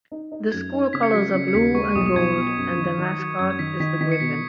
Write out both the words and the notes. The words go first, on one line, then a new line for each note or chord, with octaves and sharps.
The school colors are blue and gold and their mascot is the Griffin.
D#4
D#4
F#2 G#6
D#4
C#3 B6
C#7
F#3 B6
C#3 C#7
C#7
D#2 B6
G#3 C#6
C#6
B1 D#6
D#6
B1 G#6
B2
F#2
D#3
D#3
F#3
F#2 G#6
G#6
D#3 B6
D#3 B6
D#3 B6
C#7
B2 B6